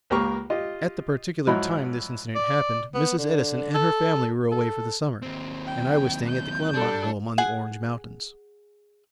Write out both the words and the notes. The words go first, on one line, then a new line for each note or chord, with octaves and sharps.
At the particular time this incident happened, Mrs. Edison and her family were away for the summer, and I was staying at the Glenmont home on the Orange Mountains.
C#2 A#3 G4 A#4 A#5 C#6
F4 G4 D#5
G#2 F3 F#3 E4 D#5 B5
D5
B3
D3
A4
A4
D#2 C4
G5
G6
G3 D4 A4
G#4 F#5 G#5